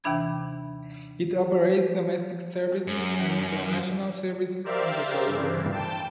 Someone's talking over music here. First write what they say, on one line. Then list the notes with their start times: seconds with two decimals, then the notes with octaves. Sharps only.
It operates domestic services and international services in the Caribbean.
0.04 D#2 C3 E3 D4 B5 G#6
2.87 F#2
4.64 G4 A#4 C5 D5 E5 F5
5.26 G2 E3
5.72 G5 A5